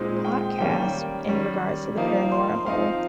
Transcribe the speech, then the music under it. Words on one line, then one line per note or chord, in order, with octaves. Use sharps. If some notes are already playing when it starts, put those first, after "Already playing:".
podcasts in regards to the paranormal
Already playing: A#2 G#3 C4 D#4
G5
D#3 G3 A#3 C#4 G5
D#3 G3 C#4
F3 A#3 D#4 F5
C6
F3 C4 D#4 F5